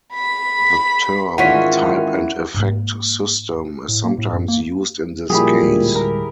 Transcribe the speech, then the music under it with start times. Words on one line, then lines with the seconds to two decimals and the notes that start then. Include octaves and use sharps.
The term "type and effect system" is sometimes used in this case.
0.14 B5 B6
1.38 G#2 D#3 E3 C#4 F4 F#5 B6
2.54 G#2 A#3
3.89 A2
4.04 A#3
4.18 A2
4.33 F#2
4.48 A#3
5.30 A#2 F3 G3 E4 G4 G#4
5.62 D1 G3 G#3
5.95 A#4